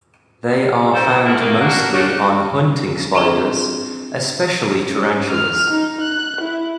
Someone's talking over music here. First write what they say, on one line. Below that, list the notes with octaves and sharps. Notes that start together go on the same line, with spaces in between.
They are found mostly on hunting spiders, especially tarantulas.
D#2 G#2 C4 A4 C5
G#2 D#3 E3 G3 B3 E4
A3 A#3
A#3 D4 F#4
A3 A#3 C#4 D4 F4 F#4
C4 D4 F4 G#4
C#4
F6
D#4
F#6
E4